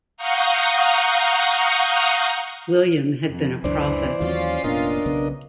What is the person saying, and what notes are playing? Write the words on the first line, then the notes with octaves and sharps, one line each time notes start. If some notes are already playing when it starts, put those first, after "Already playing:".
William had been a prophet.
F5 F#5 A#5 C#6 D#6 G6
F2
C#2 F#2 E3 D4 C5 D5
D#2 E3 F#3 C#4 F4
F1 A#2 B3 D4 A#4 D#5
B1 C#3 B3